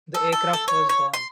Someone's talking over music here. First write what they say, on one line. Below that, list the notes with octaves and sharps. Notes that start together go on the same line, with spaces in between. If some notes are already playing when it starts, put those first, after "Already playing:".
The aircraft was gone.
A4
A4
A4
C#5
C#5
C6